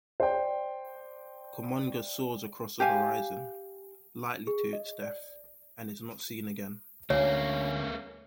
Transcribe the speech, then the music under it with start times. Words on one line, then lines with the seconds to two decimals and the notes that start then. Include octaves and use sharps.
Kumonga soars across the horizon, likely to its death, and is not seen again.
0.20 C5 D5 G5
2.80 G4 F5 G#5
4.47 G#4
4.73 D#5
5.02 D5
7.10 D2 A3 C#4 A#4 C#5 F5